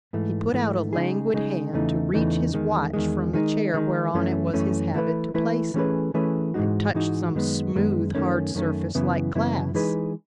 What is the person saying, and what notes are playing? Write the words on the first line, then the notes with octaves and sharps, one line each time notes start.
He put out a languid hand to reach his watch from the chair whereon it was his habit to place it, and touched some smooth hard surface like glass.
G#2 E3 A3
G#2 E3 A3
C#3 G#3 D#4 G#4
C#3 G#3 D#4 G#4
E2 C#3 E3 A3 D#4
E2 C#3 E3 A3 D#4
E2 D#3 G#3
E2 D#3 G#3
D#3 G#3 D#4
D#3 G#3 D#4
F#2 E3 A3 C#4
F#2 E3 A3 C#4
E3 A3 E4 B4
E3 A3 E4 B4
E3 A3 C#4 G#4 B4
E3 A3 C#4 G#4 B4
G#2 E3 G#3 D#4 F#4
G#2 E3 G#3 D#4 F#4
F#2 D#3 G#3 B3
F#2 D#3 G#3 B3
F#2 D#3 A3 C#4
F#2 D#3 A3 C#4
F#2 C#3 E3 B3 E4
F#2 C#3 E3 B3 E4
E3 G#3 D#4 G#4 B4